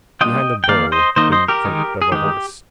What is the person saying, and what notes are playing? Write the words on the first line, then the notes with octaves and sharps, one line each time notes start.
Behind a bull: in front of a horse.
G3 A#3 D4 F4 D#5 G5
G5
D#3 A#3 D#4 D5 F5
C5 D#5
D#3 A#3 D#4 C5 D#5
C5 D#5
G4 A#4
D#3 G#3 D#4
G#4
D#3 G#3 D#4 G4